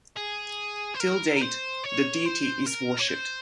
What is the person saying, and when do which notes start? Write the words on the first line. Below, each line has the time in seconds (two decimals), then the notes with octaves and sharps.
Till date the deity is worshipped.
0.17 G#4
0.94 C5
1.00 A#4
1.37 A#4
1.42 C5
1.84 C#5
2.26 C5
2.66 A#4
2.99 C#5
3.08 C5